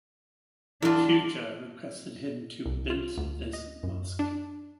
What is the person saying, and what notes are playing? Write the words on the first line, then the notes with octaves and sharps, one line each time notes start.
Shuja requested him to built this mosque.
E2 D4 E4 F4
C2
F4
D2
D#5
F#2
D4